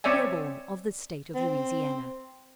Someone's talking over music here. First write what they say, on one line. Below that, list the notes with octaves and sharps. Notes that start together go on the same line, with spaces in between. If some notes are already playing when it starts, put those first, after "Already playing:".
Claiborne of the state of Louisiana.
C4 C#5 D5 E5 G#5
C4